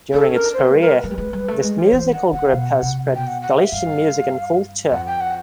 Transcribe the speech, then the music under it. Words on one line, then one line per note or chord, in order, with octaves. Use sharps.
During its career, this musical group has spread Galician music and culture.
D#4 A4
C#4
A#4
D4
C5
C#4
B4
G3
A#4
B4
G#3
G3
G#3
G3
A3
G#3
F3
C#5
E3 C5
D#3 F#5
D3 F#5
F5
B2 F#5
C3
B2 G5
F#5
F#5
F5
E5
G2 F5
F2 F#5
G5
F#5